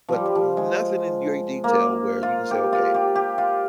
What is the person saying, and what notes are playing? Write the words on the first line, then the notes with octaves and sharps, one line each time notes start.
but n nothing in your detail where you can say, "Okay,
F3 G3
G3
F3
G#3
A#3
F4
G4
F4
G4
G4
F4